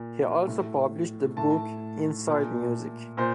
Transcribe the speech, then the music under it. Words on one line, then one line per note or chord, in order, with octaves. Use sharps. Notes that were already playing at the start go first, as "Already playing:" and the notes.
He also published the book "Inside Music".
Already playing: A#2
A2
A2 A5
A#2
A#2 C5